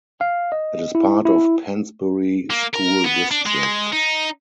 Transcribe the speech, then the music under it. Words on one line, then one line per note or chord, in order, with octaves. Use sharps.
It is part of Pennsbury School District.
F5
D#5
E4
E4
A#3
A#4
B3
D4
G#3
D#4